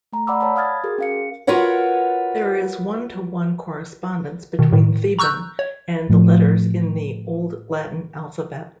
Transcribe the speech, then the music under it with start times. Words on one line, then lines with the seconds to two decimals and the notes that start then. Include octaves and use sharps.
There is one-to-one correspondence between Theban and the letters in the old Latin alphabet.
0.13 A3 A#5
0.27 D5 F#5 B5 D6 E6
0.41 C#5 A5 B5
0.56 F5 D#6 F6 G#6 A6
0.84 F#4 G#4 A#4
0.98 C#4 F5 C#7
1.47 F4 F#4 A#4 B4 C#5 F#5
4.59 B2 D#3
4.72 A2 D#3
5.19 A#5 C#6 E6 F#6 G6
5.59 C#5
6.10 A2 F3